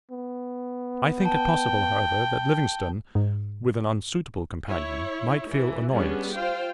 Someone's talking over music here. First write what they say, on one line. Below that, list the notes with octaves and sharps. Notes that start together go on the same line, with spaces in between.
I think it possible, however, that Livingstone, with an unsuitable companion, might feel annoyance.
B3
G5 A5
G#2
E4 C#5
E3
G3 B3 C#4 D4 G#4
F4 C5 F5 G5